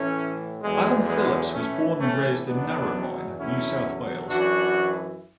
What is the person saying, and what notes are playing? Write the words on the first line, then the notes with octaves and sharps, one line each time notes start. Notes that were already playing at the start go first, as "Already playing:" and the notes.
Adam Phillips was born and raised in Narromine, New South Wales.
Already playing: A2 E3 A3 C#4
E2 D3 F#3 G#3
G#3 B3
A2 E3 A3 C#4
A3 C#4
E2 B2 F#3 B3 D4
E2 D3 F#3 C#4 E4
F#2 E3 D4 F#4